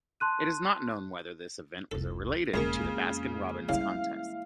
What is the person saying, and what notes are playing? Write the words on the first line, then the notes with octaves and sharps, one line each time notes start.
It is not known whether this event was related to the Baskin-Robbins contest.
A5 C6 F#6 D#7
F1 C2 A4
E1 C#2 C#3 G#3 A#3 A#4 C#6
F2 F4
C#3 G3 C#4 E4 F5